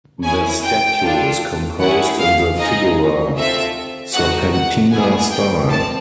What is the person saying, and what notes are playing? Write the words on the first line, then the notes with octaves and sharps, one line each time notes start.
The statue is composed in the figura serpentina style.
C#4 E4 G#4 G#5
G5
D4 F4 A4
A3 C#4 E4 G#4 F#5
F5
C4 D#4 G#4 D#5
C4 F4 A4 E5
A3 C4 D#4 F#4 F#5
F#5
B3 E4 G#4 G#5
G5
C4 A5